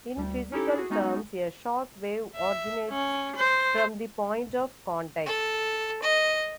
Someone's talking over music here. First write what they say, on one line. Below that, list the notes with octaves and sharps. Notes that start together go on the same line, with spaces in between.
In physical terms, a shock wave originates from the point of contact.
D2 G3
C#4 D#4 E4 G4 A4
F#4 G#4
G#3 B3 C#4 D#4 F#4
E5
C#4
C5
A4
D#5